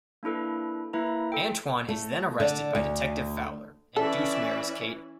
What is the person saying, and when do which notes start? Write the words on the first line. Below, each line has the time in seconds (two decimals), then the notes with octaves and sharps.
Antoine is then arrested by Detective Fowler, and Deuce marries Kate.
0.23 A#3 D4 E4 A4 B4
0.93 A#3 E4 B4 E5 A#5
1.32 A4 G5
1.89 A3
2.40 D3
2.75 D2
3.96 E3 C#4 A4 D5 E5